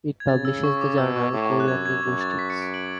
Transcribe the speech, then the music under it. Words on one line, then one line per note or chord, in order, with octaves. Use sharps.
It publishes the journal "Korean Linguistics".
G#6
C#3 A6
E6
C#6
D6
B2 E6
C#6
A2 D6
C#6
D6
F#6
F#2 G#6
G#6
F#2 G#6
A6
A6
B6
A6 C#7
B6 D7
D7 F#7